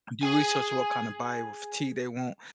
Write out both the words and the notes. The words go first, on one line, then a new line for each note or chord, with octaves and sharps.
do research on what kinda body or physique they want,
G#4 G#5